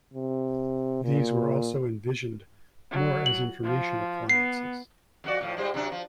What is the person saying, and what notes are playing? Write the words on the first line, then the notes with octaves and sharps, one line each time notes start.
These were also envisioned more as information appliances.
C3
A#2
F#3
F#7
F3
B3 C7
F2 F#4 D5
A2 F3
G#2 G3 C5
C3 F#3 D4
F3